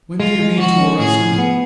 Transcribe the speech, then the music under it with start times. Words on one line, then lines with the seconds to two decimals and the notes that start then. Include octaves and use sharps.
"When do you mean to arrest me?"
0.19 G#3 F4
0.40 G#3
0.59 F3 F#4
0.78 C#4
0.99 A2 G#4
1.19 F3
1.38 B3